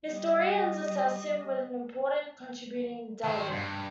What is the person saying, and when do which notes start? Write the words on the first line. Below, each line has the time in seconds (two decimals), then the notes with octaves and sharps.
Historians assess him as an important contributing delegate.
0.11 G3 D#5
3.24 D#3 C5
3.52 G2